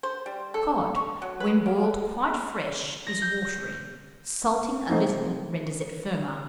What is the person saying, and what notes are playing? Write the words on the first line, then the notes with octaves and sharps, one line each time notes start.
Cod, when boiled quite fresh, is watery; salting a little, renders it firmer.
C5
G3
A4
C#6
F#3
B4
A#3
A#6
G6
A3 C4 D#4